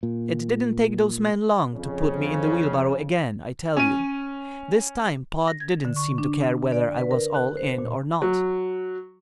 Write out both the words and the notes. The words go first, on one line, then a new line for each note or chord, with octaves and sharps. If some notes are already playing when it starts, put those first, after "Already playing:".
It didn't take those men long to put me in the wheelbarrow again, I tell you. This time Pod didn't seem to care whether I was all in or not.
A#2
F2 C#3
C#4 D#7
A#6
G#6
D3
C#6
D4
D5
B4
A#4
F#6
C5
A#2
F#3